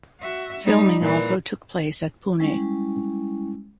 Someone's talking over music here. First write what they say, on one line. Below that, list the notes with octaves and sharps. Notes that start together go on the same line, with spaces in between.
Filming also took place at Pune.
F#4 E5
G3 D#4
A#2 E3
G3 G#3 C#4 E4